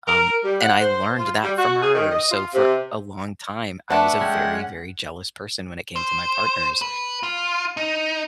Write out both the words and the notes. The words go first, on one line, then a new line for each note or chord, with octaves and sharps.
um, and I learned that from her, so for a long time, I was a very, very jealous person when it came to my partners,
A#4
G3
F#5
C5
F4
G3
F#4
G#4
D#3
D#5
F4
C3
A3 D4 B4 F#5
G#3 C#4 G5
C5
B4
F4
D#4